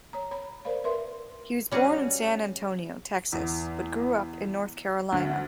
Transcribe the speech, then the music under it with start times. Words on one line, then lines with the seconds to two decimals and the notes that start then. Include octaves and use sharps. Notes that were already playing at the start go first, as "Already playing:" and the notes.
He was born in San Antonio, Texas, but grew up in North Carolina.
0.13 C#5 A#5
0.31 C#5 B5
0.65 A#4 C5 D5 F5 B5
0.84 A#4 B4 E5 C6
1.72 G3 C#4 F#4 G#4
3.33 E2
5.12 D2